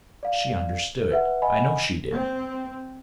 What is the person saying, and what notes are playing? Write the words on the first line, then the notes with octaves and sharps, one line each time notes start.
She understood, I know she did.
D5 F5
B4 E5 F#5
D#5 F#5 G#5 B5
C4